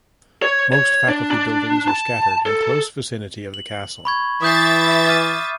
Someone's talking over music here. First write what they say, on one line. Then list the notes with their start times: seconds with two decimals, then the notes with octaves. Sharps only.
Most faculty buildings are scattered in close vicinity of the castle.
0.42 C#5
0.73 C#5
1.08 D4
1.31 D4
1.88 A5
2.46 A4
3.54 F#7
4.05 B5 C#6 G#6
4.42 E3 E5 D#6 G6 A6 C7
5.08 D6 F6 D#7